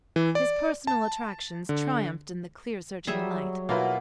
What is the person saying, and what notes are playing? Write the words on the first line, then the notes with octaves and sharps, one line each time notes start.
His personal attractions triumphed in the clear searching light.
E3
D5
A5
D3
F#3 G3 G#4 E5
B2 A#3 E4 F4 B4